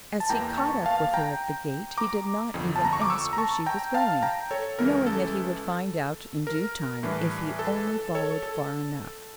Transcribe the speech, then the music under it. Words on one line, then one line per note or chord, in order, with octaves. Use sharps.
As he caught up with her at the gate, he did not even ask where she was going, knowing that he would find out in due time if he only followed far enough.
A5
E2 E3 A#3 G5 A#5
A5 C#6
F5 A5
G5 A#5
A#5 D6
G1 F2 D3
A5
A#5
C#6
D6
C#6 E6
A#5
A5 C#6
G5 A#5
F5 A5
G5 A#5
A4 C#5
C#2 C#3 E3 A#4
A4
A#4
A2 E3 G3 D4
A4
A4
A4 C#5
A4